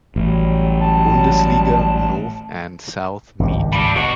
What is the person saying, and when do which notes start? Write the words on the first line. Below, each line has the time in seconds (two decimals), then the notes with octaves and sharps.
Bundesliga North and South meet.
0.16 A1 F#3 G3
0.81 A5
3.39 G#1 C#2 G2
3.72 G3 D4
3.96 B2 A3 F#4